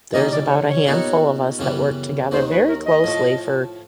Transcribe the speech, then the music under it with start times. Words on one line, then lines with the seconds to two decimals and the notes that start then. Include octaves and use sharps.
there's about a handful of us that worked together very closely for
0.13 C#3 E3 G3 A#3 D#4 D#5
0.31 D5
0.50 C#5
0.69 C#5
0.86 A#2 G3 B3 D#4 F#4
1.59 F#2 C#3 E3 G3 B3
2.31 D#2 D#3 F#3 C5
2.50 B4
2.67 A#4
2.85 D#5
3.04 A2 F3 A3